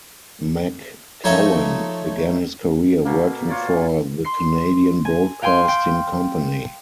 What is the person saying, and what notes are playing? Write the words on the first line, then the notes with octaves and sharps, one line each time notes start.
McCowan began his career working for the Canadian Broadcasting Company.
F3 A3 D#4 C#5 D#5 E5
B2 A#3
F4 C#5 D5
C6 C7
G#5
F5 G5 G#5 C6
G5